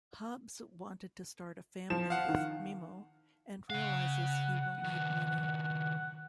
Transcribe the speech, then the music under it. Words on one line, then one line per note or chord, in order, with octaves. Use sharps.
Hobbs wants to start a family with Memo and realizes he will need money.
F3 E7
F5 F#5
D#3
C#3 F5 F#5
D#3 F3